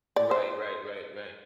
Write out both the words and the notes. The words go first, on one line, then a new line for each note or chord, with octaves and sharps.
Right, right, right, right.
D5
C5